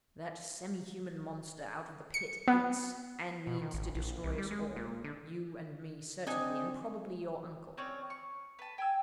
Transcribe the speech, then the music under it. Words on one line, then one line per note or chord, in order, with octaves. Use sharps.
That semi-human monster out of the pit hates and means to destroy us all--you and me certainly, and probably your uncle.
C#7
B3
B2
D#3
A1
A#1
C2
G3
G#3
A#2
D3
C4 D4 D#4 G#5
C4 C#4 C#5 D5
C#6
B4 A5
G5 G#5 E6